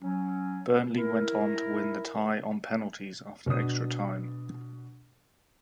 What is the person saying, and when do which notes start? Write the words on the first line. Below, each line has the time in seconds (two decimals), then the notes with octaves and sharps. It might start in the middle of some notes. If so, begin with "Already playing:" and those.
Burnley went on to win the tie on penalties after extra time.
0.02 F#3 C#4
0.96 E4 A#4
3.46 B2 D4 F#4 D#6